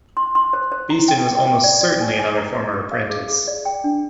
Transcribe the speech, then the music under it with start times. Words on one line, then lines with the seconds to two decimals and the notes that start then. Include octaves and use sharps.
Beeston was almost certainly another former apprentice.
0.17 C6
0.35 C6
0.53 C5
0.72 C5
0.90 A#5
1.08 G5
1.27 G5
1.45 G5
1.64 D5
1.81 D5
2.01 G#5
2.19 G#5
2.37 A#5
2.55 A#5
2.74 G4
2.91 F5
3.10 G#4
3.28 G#4
3.48 D5
3.65 G5
3.84 D4